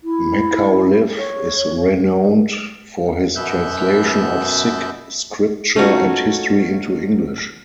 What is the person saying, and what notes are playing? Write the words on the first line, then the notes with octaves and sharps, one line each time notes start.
Macauliffe is renowned for his translation of Sikh scripture and history into English.
E4
C#5
F#2 B2 B3 E5 F#6 G6
A3 C#4 D#4 F4 F#4